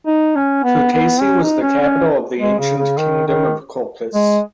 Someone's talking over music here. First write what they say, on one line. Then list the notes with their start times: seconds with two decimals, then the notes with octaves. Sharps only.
Kutaisi was the capital of the ancient Kingdom of Colchis.
0.06 D#4
0.36 C#4
0.64 B3
0.93 B3
1.22 C#4
1.42 D#4
1.62 C#4
1.81 C#4
2.39 G#3
2.59 C#3
2.78 C#3
2.98 D#3
3.27 D#3
4.14 G#3